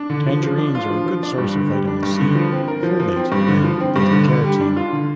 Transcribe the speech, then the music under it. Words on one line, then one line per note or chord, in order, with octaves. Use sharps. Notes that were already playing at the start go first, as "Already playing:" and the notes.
Tangerines are a good source of vitamin C, folate, and beta-carotene.
Already playing: D4
D3
F3
F3
D4
F4
F3
F3
D4
G2
D3
G3
D4
G2
D3
F3
C4
A#4
F3
F3
C4
G2
D3
F3
C4
G2
D3
D3
G3
D4
F4
D3